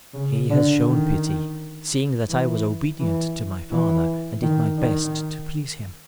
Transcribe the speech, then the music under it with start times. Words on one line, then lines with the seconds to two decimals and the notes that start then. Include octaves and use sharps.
He has shown pity, seeing that I was obedient to my father and did my best to please him.
0.14 C#3
0.50 D3
0.85 D#3
2.28 E3
3.00 E3
3.71 E3
4.42 D#3
4.78 D#3